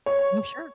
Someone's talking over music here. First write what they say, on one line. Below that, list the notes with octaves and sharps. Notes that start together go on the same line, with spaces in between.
No, sure.
C#5